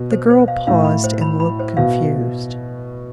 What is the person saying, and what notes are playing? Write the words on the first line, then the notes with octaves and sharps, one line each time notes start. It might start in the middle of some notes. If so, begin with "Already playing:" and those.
The girl paused, and looked confused.
Already playing: B2
C5
C5
F5
A2 F5
B5
C5
B5
B5
C5
B2 F5